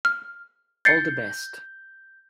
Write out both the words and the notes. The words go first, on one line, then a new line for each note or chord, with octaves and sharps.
All the best.
F6
G6 A6 C7 C#7